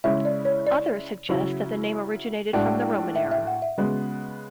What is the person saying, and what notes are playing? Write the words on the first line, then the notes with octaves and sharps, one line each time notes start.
Others suggest that the name originated from the Roman era.
C#3 G#3 C#4 E4 E5
D5
C#5
D5
C#3 F#3 C#4 E4
A2 G#3 D4 F#4 E5
E5
E5
F#5
E5
C#3 G#3 B3 F#4